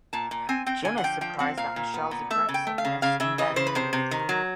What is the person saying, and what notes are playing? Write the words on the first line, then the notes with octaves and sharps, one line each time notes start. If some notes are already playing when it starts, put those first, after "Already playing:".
Jim is surprised at Michelle's aggressiveness in bed.
A#2 A5
A#2
C4 G#5
C4 G5
D3 G#5
F#5
F3 G5
F3 G5
C4 F#5
A#2 F5
A#2
B3
A#2
A3 E5
C#3
G5
A3
F5
C#3
C#3 F5
C#3 E5
E3 D#5
C#3 C5
B4
C3 C5
C3
D#3
F#3